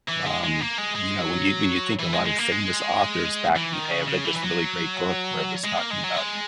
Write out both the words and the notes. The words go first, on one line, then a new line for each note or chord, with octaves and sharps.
Um, you know, when you when you think a lot of famous authors back in the day, I read this really great book where it was talking about
E3
G#3
G#3
A#3
G#3
G#3
F#3
E3
G#3
G#3
A#3
G#3
E3
D#3
C#3
C#3
E3
E3
F#3
G#3
A#3
G#3
F#3
G#3